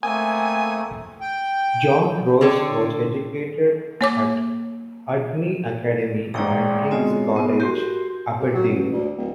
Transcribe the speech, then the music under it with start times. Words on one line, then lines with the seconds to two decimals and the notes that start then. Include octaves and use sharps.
John Rose was educated at Udny Academy and King's College, Aberdeen.
0.03 A3 A#3 C4 G#5 D#6
1.21 G5
2.41 D3 C4 A4 C#5
4.01 A#3 C#5 D6
6.34 A1 G#2 D5 G5 A#5
6.91 B2 G#3 C4 F4 C#5
7.36 B3
7.60 F#4 G4 A#4 C6 G6
8.39 C3
8.55 F#3
8.68 A1
8.92 D2
9.17 D1